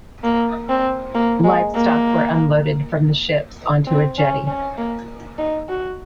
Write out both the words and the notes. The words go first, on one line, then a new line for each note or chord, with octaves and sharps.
Livestock were unloaded from the ships onto a jetty.
A#3
C4
A#3
G#3
A#3
C4
C#4
C#4
A#3
D#4
F#4